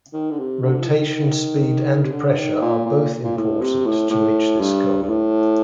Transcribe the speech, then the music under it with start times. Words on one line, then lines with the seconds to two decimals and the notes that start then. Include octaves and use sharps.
Rotation speed and pressure are both important to reach this goal.
0.13 D#3
0.31 D3
0.39 C3
0.63 D3
0.80 F3
0.88 D#3
2.03 C3
2.12 D3
2.37 D#3
2.62 A#2
2.86 A#2
3.24 A#2
3.37 A2
3.61 C3
3.86 A2
4.10 A2
4.60 G2
5.03 G2
5.09 A2